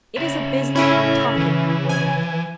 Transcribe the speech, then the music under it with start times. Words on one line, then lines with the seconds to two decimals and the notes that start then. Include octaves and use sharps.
It is a busy, talking world.
0.17 C#3 E5
0.76 C#4 E4 A4 B5
1.36 E3
1.89 G#5